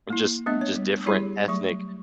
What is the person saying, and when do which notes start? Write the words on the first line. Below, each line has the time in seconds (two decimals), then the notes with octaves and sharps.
just just different ethnic
0.10 A#3 E4
0.46 A3 B3 D4 D#5
0.61 C#5
0.76 G3
1.06 G3 E4 G4 G#4 C#5 B5
1.48 F#3 A3 C#6